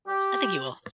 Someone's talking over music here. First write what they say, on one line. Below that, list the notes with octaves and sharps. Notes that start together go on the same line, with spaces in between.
I think you will.
G4